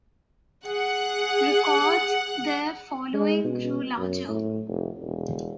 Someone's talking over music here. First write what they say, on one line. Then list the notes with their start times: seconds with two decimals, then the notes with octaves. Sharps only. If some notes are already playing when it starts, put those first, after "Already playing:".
Records, their following grew larger.
0.66 G#4 F#5
3.14 G#3
3.44 B2
3.98 F#2
4.28 A2
4.68 F1
5.02 E1